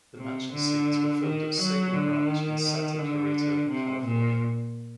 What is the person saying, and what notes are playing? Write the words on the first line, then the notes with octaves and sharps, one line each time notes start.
The mansion scenes were filmed at Sable Ranch in Santa Clarita, California.
C3
D3
D#3
F#3
D3
D#3
D3
C3
A#2